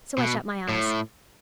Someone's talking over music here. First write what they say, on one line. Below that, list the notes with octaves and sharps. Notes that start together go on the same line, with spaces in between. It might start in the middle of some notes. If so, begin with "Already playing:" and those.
So I shut my eyes.
B2
A2